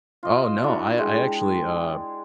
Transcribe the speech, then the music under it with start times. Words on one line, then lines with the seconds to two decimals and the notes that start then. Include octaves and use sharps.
Oh, no. I I actually, uh,
0.23 F4 D#5
0.64 D4 E4 F#4
0.98 G#3 G4